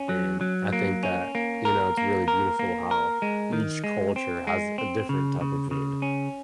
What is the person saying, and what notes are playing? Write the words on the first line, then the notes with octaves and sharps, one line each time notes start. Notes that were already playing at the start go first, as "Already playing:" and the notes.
and I think that, you know, it's really beautiful how each culture has a different type of food.
Already playing: C#4
F#3
F#3
A#3
C#4
A#3
A#4
A#3
A#4
A#3
A#4
G#3
D#3
G#3
C4
G#3
C4
C#3
C#3
C#3
C#4